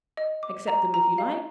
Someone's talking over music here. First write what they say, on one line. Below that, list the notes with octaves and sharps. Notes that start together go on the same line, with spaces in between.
Accept them if you like.
D#5
D6
A#5
A#5
F5